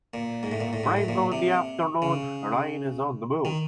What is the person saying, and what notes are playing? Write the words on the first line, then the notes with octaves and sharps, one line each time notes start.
Rainbow in the afternoon, rain is on the moon.
A#2
G#2
A2
A#2
A2
G#2
A2
A#2
C3
C#3
D#3